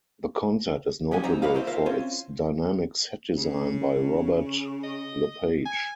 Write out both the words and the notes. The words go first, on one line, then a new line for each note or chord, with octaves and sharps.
The concert is notable for its dynamic set design by Robert Lepage.
C#2 F3 G4 F#5 G#5
F#2 C4 D#4 A#5
A#3 F#4 B4 C5 D#5 F5
E4 C5 D#5 E5
F4 A#4 C5 E5 F5
C4 C#4 F4
C#3
D#5
G#5